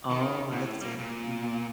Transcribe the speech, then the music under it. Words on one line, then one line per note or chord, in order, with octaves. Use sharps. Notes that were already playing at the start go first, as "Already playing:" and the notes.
Oh, I see. Mhm.
D#3
A2
G3 A#3
A#2